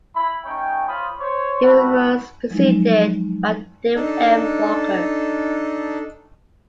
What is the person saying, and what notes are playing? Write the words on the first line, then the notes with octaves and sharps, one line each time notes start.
He was preceded by David M. Walker.
E4 B5
A3 C#4 D#4 C#5 G5
F4 C5 C#5 B5 C6 D#6
C5 C#5
G3 A3 F#4 B4 F#5 B5
F3 F#3 G#3 D#4 E4
D4 D#4 A4